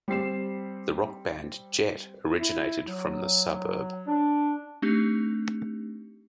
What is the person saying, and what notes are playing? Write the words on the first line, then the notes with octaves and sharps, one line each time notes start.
The rock band Jet originated from the suburb.
G3 C4 C7 E7
E4
F#3
D4
A3 C4 D4 D#4 G4